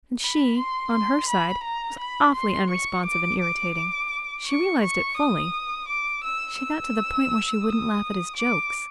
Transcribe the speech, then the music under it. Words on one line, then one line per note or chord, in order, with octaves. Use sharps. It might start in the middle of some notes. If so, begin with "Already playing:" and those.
And she, on her side, was awfully unresponsive and irritating,--she realized it fully,--she got to the point where she wouldn't laugh at his jokes.
B5
C6
C6
B5
A#5
B5
C6
C#6
D6
D6
C#6
C#6
D#6
D6
E6
E6
D#6
D6